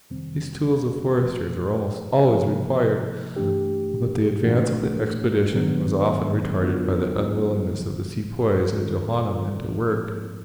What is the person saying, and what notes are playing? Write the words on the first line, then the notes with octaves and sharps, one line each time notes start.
These tools of foresters were almost always required; but the advance of the expedition was often retarded by the unwillingness of the Sepoys and Johanna men to work.
F2 C3 D#3 G3 C4
A#2 F3 A3
C3 F3 A#3
G2 E3 A3 D4 G4
G#2 E3 A3 D4 F#4
D#3 F#3 B3 D4
D3 F#3 B3 D4 F4
D2 D3 F3
D#3 G3 C4 F4 A4
G#2 F3 G#3 C4